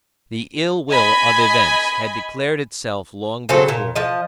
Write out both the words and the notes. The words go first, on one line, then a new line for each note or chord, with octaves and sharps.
The ill will of events had declared itself long before.
D#5 G#5 B5
C#3 F#3 C4 A4
A#2
F3 D#5